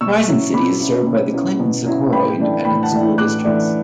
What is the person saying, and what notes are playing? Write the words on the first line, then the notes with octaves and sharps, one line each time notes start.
Horizon City is served by the Clint and Socorro Independent School Districts.
B2 C#6 E6
F#3 C#4 E4
B2 B5 D6
F#3 C#4 E4
B2
F#3 C#4 E4
B2
F#3 C#4 E4
A2 G5 B5
E3 A3 D4
A2 G5 B5
F#5 A5
E3 A3 D4
A2 D6 F#6
E3 A3 D4